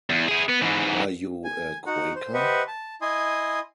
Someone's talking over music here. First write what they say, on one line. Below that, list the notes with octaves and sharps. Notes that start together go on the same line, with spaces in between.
Are you a Quaker?
E2
E4 G#4
B3
G#2 E3
G#5
D#4 F#4 F#5
C5
G4 B4 C5 D#5 E5 F#5
A5
E4 D#5 G#5 C6 D#6